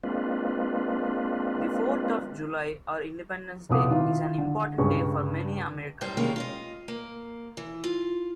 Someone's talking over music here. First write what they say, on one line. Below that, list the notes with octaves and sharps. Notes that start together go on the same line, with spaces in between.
The fourth of July, or Independence Day, is an important day for many Americans.
G#3 A#3 C4 D4 F4 B4
F1 C2 B3 F4 D6 D#6
D#3 E4 F4
D3
C#2 G2 C#3 G#3 C#6
F#2 A2 G3 C5
C3 D#3 G3 G#3 A#3 C#4
F4 D5 D#5
A#3
E3
F4